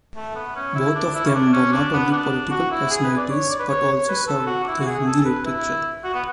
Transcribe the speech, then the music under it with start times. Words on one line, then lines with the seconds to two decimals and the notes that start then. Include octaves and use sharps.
Both of them were not only political personalities, but also served the Hindi literature.
0.16 A3
0.35 B3
0.56 C#4
0.75 E4
0.95 D4
1.15 E4
1.26 C#4
1.34 D4
1.53 C#4
1.72 D4
1.93 B3
2.12 D4
2.51 F#4
2.71 E4
2.90 G#4
3.04 B4
3.17 D5
3.30 C#5
3.50 D5
3.59 B4
3.69 C#5
3.88 C#5
4.09 B4
4.28 A4
4.47 F#4
4.63 D4
4.67 E4
4.80 F#4
4.86 G#4
5.06 A4
5.21 A4
5.25 B4
5.46 E4
6.04 F#4
6.14 B3